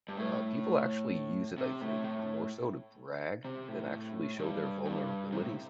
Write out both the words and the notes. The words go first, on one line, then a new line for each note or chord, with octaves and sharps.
uh, people actually use it, I think, more so to brag than actually show their vulnerabilities.
G2
A2
C3
A2
A2
C3
A2
G2
G2
C3
A2